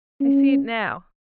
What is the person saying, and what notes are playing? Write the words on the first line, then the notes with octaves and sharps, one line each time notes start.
I see it now.
C#4